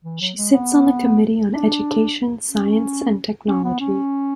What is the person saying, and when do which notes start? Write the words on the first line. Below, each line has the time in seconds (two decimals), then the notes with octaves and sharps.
She sits on the Committee on Education, Science And Technology.
0.04 E3
0.21 F#3
0.37 G#3
0.53 B3
1.51 D4
2.50 C#4
3.47 C#4
3.64 B3
3.80 C#4